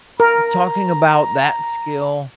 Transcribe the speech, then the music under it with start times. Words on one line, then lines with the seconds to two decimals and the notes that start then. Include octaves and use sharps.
t talking about that skill,
0.20 A#4 A#5